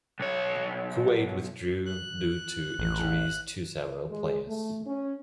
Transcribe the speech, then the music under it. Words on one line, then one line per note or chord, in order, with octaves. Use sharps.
Kuwait withdrew due to injuries to several players.
B1 C#5
F#6
A1
G#3
A3
C#4